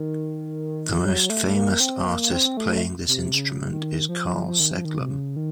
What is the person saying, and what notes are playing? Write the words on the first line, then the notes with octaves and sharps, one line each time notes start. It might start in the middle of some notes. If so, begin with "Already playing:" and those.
The most famous artist playing this instrument is Karl Seglem.
Already playing: D#3
F#3
A3
A3
A#3
C4
A#3
C4
A3
C3
C#3
D#3
F3
F3
D#3
F3
D#3
C3
C#3
D#3